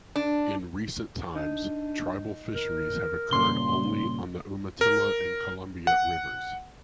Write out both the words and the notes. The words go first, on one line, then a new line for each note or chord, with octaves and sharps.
In recent times, tribal fisheries have occurred only on the Umatilla and Columbia rivers.
D4
D4 D#4
A#4
G2 A#2 C#3 C6 G7
A#4
F#5